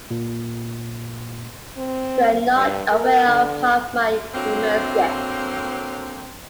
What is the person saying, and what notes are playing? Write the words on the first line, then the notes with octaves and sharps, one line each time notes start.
You are not aware of half my humours yet.
A#2
C4
G2
A#4
D3
D3 F#3 A#3 C4